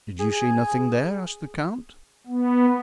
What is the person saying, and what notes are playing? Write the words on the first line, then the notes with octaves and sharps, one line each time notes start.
"Did you see nothing there?" asked the count.
G#4
B3